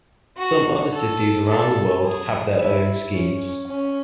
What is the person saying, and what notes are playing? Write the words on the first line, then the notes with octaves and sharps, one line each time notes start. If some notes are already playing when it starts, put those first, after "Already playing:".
Some other cities around the world have their own schemes.
F#4
A4
A4
G#4
E4
C#4
C#4